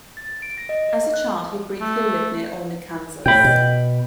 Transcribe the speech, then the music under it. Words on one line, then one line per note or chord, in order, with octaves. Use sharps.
As a child, he briefly lived near Aulne, Kansas.
A6
D7
A#6
D#5
D#5
F#6
A3
A2 G5 B5
B2